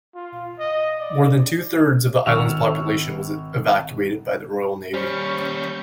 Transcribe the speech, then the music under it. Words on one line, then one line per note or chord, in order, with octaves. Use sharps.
More than two-thirds of the island's population was evacuated by the Royal Navy.
F4
D#5
D5
G#1 C#6 E6 F6 F7
D#2 G3 C#4 C5 C#6 G6